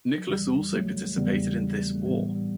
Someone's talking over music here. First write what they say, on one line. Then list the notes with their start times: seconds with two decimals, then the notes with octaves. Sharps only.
Nicholas also participated in this war.
0.18 F#3
0.29 E2 C#3 E3 G3
0.72 F#3 A3
1.17 E2 C#3 E3 G3 B3
1.95 A3
2.06 A2 E3 G3 B3
2.35 G3